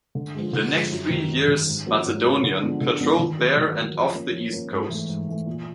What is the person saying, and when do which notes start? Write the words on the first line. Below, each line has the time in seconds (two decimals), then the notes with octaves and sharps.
The next three years "Macedonian" patrolled there and off the East Coast.
0.15 D3
0.34 F3 G#3
0.53 D3
0.72 F3 G#3
0.91 F#2
1.10 D#3 G3
1.29 F#2
1.48 D#3 G3
1.67 G#2
1.86 F3 A#3 C#4 F#4
2.05 G#2
2.24 F3 A#3 C#4 F#4
2.43 D3
2.62 F3 G#3 B3 D4
2.81 D3
3.00 F3 G#3 B3 D4
3.19 D#3
3.38 F#3 A#3
3.57 D#3
3.75 F#3 A#3
3.95 F3
4.14 A#3 C#4
4.33 F3
4.51 A#3 C#4
4.71 G#2
4.89 E3 A3
5.09 G#2
5.28 E3 A3
5.46 A#2